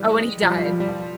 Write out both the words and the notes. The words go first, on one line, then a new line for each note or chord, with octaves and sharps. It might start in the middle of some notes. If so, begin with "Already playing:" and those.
oh, and he died.
Already playing: E3 G3
G#3
F3
G3
F3
G3
F3
G3
F3